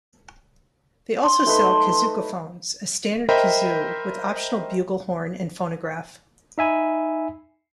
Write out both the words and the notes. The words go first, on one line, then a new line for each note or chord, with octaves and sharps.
They also sell Kazookaphones, a standard kazoo with optional bugle horn and phonograph.
C6
A3 D#4 B4
A#4 C5 D#5 E5 G5 B5
D#4 E5 G#5 B5